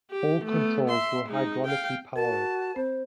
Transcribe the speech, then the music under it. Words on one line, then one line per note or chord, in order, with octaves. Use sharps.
All controls were hydraulically-powered.
G4
A3 B3
E5 C6
G#3 D#4
F5 G5
F#4 A#4 A5
C4 C5